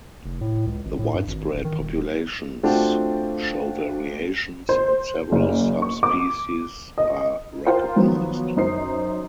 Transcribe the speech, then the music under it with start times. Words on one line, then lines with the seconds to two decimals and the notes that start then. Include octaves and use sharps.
The widespread populations show variations and several subspecies are recognized.
0.24 F1
0.41 A2
0.66 C#2
0.85 G#1
0.99 A2
1.14 G2
1.27 G#1
1.52 D1
1.64 D#3
1.79 D#1
2.63 A3 C4 D4 F4 F#4 G5
4.69 C5
5.32 F#1
5.82 C#6
6.03 D6
6.98 D#5
7.66 F4 A#4 C5 G5
7.96 D#3 F3 F#3 B3
8.56 F#2 D#4 C5 C7